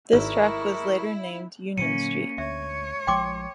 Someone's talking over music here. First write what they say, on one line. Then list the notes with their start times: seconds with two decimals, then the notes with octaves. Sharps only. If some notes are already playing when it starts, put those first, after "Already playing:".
This track was later named Union Street.
0.13 G#1 G#3 A3 E4 A#4 C#6
1.77 A#2 D3 F#3 A#3 C#4 C#7 D#7
2.38 D2 C#5 E5
3.07 A#1 F3 G#3 G5 C6 D6